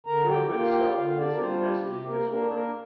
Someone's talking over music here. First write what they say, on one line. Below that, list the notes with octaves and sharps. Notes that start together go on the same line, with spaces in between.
The room itself is in messy disorder.
D3 A#4 A#5
G4 G5
A#3 F4 G4 G5
F5
G4 G5
D3 F4 F5
F5
D4 D5
A#4
G3 C4 D4 F4 C5
G4
C3 G4
A#3 A#4
A#3 D4 A#4
A#3 A#4